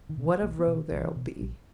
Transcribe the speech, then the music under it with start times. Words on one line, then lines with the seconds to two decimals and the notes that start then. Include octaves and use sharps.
What a row there'll be!
0.09 D#3
0.18 B2
0.25 E3
0.42 B1 A#3
0.59 B3
0.67 B2
0.75 D#3
0.91 B1 E3
1.16 B2
1.41 A#1